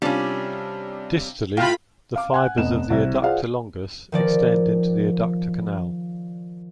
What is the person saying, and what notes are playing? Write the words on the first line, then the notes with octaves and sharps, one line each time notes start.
Distally, the fibers of the adductor longus extend into the adductor canal.
C3 G3 C#4 D4 F4
A2 F4 G5 B5 F6
F5 D6
F#5 G#5 F#6
F1 B3 D#5 E7
C2 E5
F4 G#4 C5 D5 F5 F#5
D#3 F3 D5